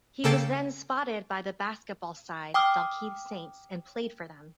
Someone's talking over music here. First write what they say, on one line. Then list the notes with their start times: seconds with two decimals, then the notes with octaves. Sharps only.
He was then spotted by the basketball side Dalkeith Saints and played for them.
0.24 C#3 A#3 A4 G5 A6 C7
2.54 G5 D6 D#6 F6